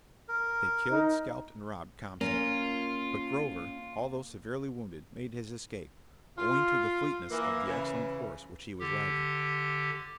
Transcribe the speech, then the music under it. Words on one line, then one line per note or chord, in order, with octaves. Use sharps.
They killed, scalped and robbed Comstock; but Grover, although severely wounded, made his escape, owing to the fleetness of the excellent horse which he was riding.
A#4
D#4
A#3 C#4 F4
F4
E3 A#3
C#3 E3
D3 G4